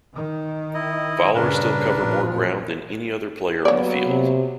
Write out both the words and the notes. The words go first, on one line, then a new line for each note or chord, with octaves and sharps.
Followers still cover more ground than any other player on the field.
D#3
E4 D#5
G2 A#2 C#3 D4 A#4 B4
A1 A#2 F3
F#3 A#3 B3 C#5 D5
C3